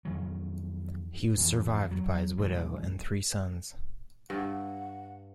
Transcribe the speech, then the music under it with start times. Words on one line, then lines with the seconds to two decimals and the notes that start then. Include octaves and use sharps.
He was survived by his widow and three sons.
0.05 F2 D#3 F#3
1.37 F2 E3 F3
1.91 F#3
2.38 B1 G#2 E3 F3
4.30 G2 F#5